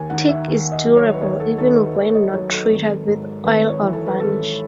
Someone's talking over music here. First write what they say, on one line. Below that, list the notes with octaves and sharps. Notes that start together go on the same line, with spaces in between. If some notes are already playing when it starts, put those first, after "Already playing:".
Teak is durable even when not treated with oil or varnish.
Already playing: D#2 G#5
D#3 F#5
E5
D#2
D#5
F#3
C#5
B4
D#2 C#5
A4
D#3 A4
B4
D#2
D#5
F#3 C#5
A4
G#1
G#2
G#1 B4
C#5
E3
A4
B4
G#1 A4